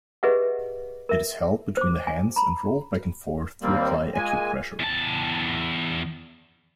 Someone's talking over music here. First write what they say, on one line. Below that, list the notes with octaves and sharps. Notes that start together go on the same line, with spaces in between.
It is held between the hands and rolled back and forth to apply acupressure.
G4 G#4 B4 D#5 E5 F#5
A#4 E5
C5 D6
G#5
A#5 B5
D#2 G3 A#3 C4
A#2 G#3 G#5
E2 A5